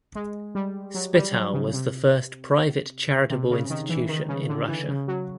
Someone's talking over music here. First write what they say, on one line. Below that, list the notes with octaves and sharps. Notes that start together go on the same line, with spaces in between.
Spital was the first private charitable institution in Russia.
G#3
G3
F#3
G3
F#3
C#3
C3
C3
C#3
D#3
E3
D#3
C#3
D3
E3
C#3
F#3